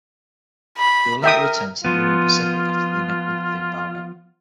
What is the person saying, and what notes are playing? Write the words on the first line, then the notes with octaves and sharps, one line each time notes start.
They were later returned to Union Pacific after the enactment of the embargo.
B5
A#4 E5 G5 D#6
F3 B3 F4